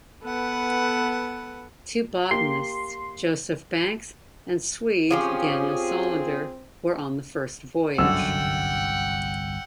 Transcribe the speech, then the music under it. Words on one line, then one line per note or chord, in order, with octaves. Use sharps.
Two botanists, Joseph Banks and Swede Daniel Solander, were on the first voyage.
B3 A4 B4 F#5
A#3 G4 C6
F3 C4 C#4 F4 G4 G#4
G1 C2 F#2 D3 F#5 G5 E6